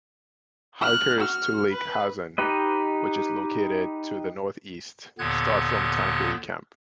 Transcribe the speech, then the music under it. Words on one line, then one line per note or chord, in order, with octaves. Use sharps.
Hikers to Lake Hazen, which is located to the northeast, start from Tanquary Camp.
F6 F#6
F#4 F6
B4
D#4 G4 B4 D#5
D#2 A#2 D3 B3 F#6 G#6